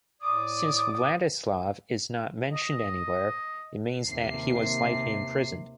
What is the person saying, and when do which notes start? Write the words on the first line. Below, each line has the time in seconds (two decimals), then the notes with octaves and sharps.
Since Vladislav is not mentioned anywhere, it means that he was likely imprisoned.
0.21 A2 D5 D6 D#6
2.51 D#5
4.04 D#2 C3 C7